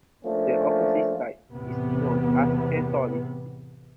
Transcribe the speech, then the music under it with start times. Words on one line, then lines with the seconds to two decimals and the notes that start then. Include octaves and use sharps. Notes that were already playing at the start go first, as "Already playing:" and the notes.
The opposite side is known as Cantoris.
0.23 F3 A3 A#3 C#4 D4
1.52 E2 A2 C3 B3